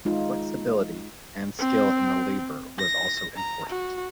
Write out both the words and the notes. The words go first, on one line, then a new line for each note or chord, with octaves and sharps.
Flexibility and skill in the labor was also important.
G#3 D#4 F4
C4
A#6
A#5
F#4